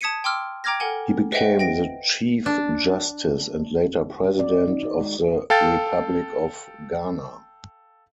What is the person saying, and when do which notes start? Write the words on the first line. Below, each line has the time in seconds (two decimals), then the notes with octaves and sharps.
He became the Chief Justice and later President of the Republic of Ghana.
0.01 A5 D#6 G#6 B6 C#7 D#7
0.24 G5 C6 D6 E6 F6
0.64 G5 A#5 D6 F6 G#6 A#6
0.80 A4 A#4 F#5 G#5
1.32 B4 C5 D#5 E5 F#5 G5
1.59 G5 A#6 D7
2.46 D4
4.23 F#4
4.39 D5
4.68 D#4
4.83 D#4
5.00 G#3
5.50 A4 F5 G5 A6